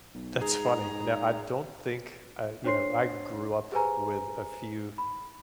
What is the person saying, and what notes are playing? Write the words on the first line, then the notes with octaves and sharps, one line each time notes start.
That's funny. Now, I don't think uh, you know, I grew up with a few,
B1
G#2 G#4 A#5
D4 C5 C#5 C6 C7
G4 G#4 B4 C5 G#5 A#5
B5